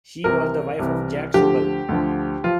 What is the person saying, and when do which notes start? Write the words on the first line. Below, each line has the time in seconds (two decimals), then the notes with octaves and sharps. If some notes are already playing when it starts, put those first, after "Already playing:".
She was the wife of Jack Soble.
0.24 C2 C3 E3 A#4
0.79 C2 C3 E3
1.34 D2 D3 F3 G4
1.89 D2 D3 F3
2.44 F3 F4